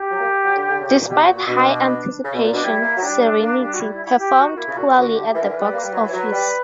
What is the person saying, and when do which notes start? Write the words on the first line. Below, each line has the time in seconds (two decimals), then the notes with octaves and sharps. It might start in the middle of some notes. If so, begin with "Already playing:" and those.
Despite high anticipation, "Serenity" performed poorly at the box office.
Already playing: G4
0.11 F#3
0.20 A#3
0.43 F#3
0.56 D3
0.69 D3
0.79 C#3
0.88 B2
0.98 A#2
1.07 B2 G4
1.21 F#4
1.27 A#2
1.34 F#4
1.47 B2 D4
2.24 C#3
2.34 B2
2.44 A#2
2.52 B2 D4
2.63 G3 E4
2.82 A#3
2.97 F#3
3.02 G3 D4
3.41 A#3
3.60 G3
3.74 F#4
3.80 E4
3.93 E4
4.05 E4
4.18 G4
4.38 F#4
4.57 A#3 E4
4.67 C#3
4.76 A#2 F#4
4.86 C#3
4.92 E3
4.95 D3 F#4
5.15 G4
5.28 G4
5.35 E3 A#4
5.42 D3
5.48 E3
5.54 B4
5.61 G3
5.74 A#3
5.83 G3
5.93 F#3
6.03 E3
6.06 C#5
6.12 F#3 B4
6.32 G3